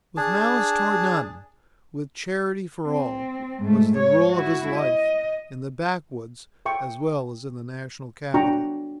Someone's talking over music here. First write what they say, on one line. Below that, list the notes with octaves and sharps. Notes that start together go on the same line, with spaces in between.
"With malice toward none, with charity for all," was the rule of his life in the backwoods as well as in the National Capital.
D4 G#4 A5
C4
G#2 A3
C#5
E4 F#4
D#5
E5 G5 C#6
D4 F#4 G5 A#5 C#6